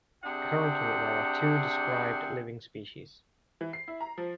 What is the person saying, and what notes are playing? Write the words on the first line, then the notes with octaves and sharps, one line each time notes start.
Currently there are two described living species.
C3 D4 G#4 F#5 G5
E3
C7
E4
A#5
F3